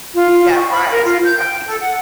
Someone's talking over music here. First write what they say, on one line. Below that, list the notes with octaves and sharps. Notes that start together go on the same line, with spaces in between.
Yeah, right, right.
F4
C#6
B5
A#4
F4
G6
G5
A4
F#5